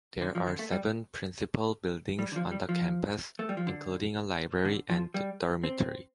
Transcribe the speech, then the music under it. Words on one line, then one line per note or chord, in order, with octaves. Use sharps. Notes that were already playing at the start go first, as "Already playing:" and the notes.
There are seven principal buildings on the campus, including a library and dormitory.
D3
F3
D3
A3
G3
G3
D3
F3
G3
F3
A3
G3
F3
D3
D3
F3
G3
C4